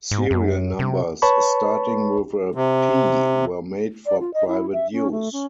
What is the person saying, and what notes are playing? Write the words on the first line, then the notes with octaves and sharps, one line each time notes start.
Serial numbers starting with a P were made for private use.
G#2
F#2
C3
B4 C#5 A5 B5 C#6
C3
D5
F4
D#5
E4
E5
C#4
A3
C#4